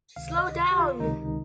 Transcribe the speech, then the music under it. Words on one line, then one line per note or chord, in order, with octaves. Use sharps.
Slow down!
C#2 C3 D#3 F5
D#5
G4
F4
C#2 C3 D#3 D#4